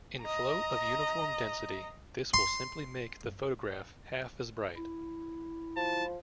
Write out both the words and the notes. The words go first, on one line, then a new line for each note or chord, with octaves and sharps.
In flow of uniform density this will simply make the photograph half as bright.
D#5 A#5
C6
E4
F3 A5